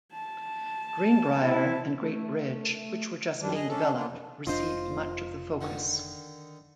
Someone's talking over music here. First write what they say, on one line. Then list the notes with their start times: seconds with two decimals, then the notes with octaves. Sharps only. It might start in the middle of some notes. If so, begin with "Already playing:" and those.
Greenbrier and Great Bridge, which were just being developed, received much of the focus.
0.13 A5
1.43 C4 E4
2.01 A3
3.41 F#2 D#3 G3 D4
3.54 G#4 D#5
3.69 C#4 D4 A4
3.94 A#3 B3 D4 F4
4.07 F2
4.47 F1 D4 F4 C5 D#5
5.61 D3 D#3